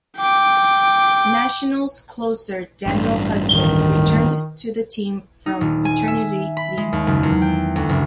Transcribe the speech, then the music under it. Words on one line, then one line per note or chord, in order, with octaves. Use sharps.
Nationals closer Daniel Hudson returned to the team from paternity leave.
G5 D6
A1 G2
D1 A1 G2 D#3
D#4
D#1
G#5
E5
B5
G#3
D#2
F#1
E2
G5
D2
F#1